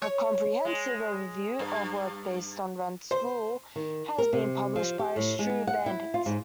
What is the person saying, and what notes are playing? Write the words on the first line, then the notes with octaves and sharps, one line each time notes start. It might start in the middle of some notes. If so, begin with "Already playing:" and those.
A comprehensive overview of work based on Rent's rule has been published by Stroobandt.
C#5
G#3
G2
C5
D#3
A#4
C3
F3
G4
A2
G#3
F#5
E4
F4
G#2